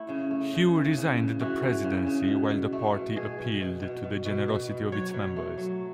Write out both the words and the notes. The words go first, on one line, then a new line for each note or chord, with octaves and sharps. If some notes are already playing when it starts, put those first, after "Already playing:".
Hue resigned the Presidency while the Party appealed to the generosity of its members.
Already playing: A3 E4
C#3
A3
C#3
E3
C#3
C#3
E3 F#4
E3
C#3
C#3
B2
B2
A3
B2
B2 G#4
B2
B2
B2
B2
B2
B2
B2
F#3 C#5
B2
A3
F#3